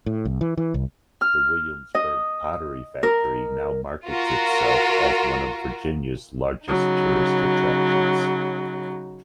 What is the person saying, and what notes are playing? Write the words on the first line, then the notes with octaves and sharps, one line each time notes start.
The Williamsburg Pottery Factory now markets itself as one of Virginia's largest tourist attractions.
A2
C2
E3
E3
C2
F6
D#5
A#4
F4 F#4 A#4
C#3 F#3 D#4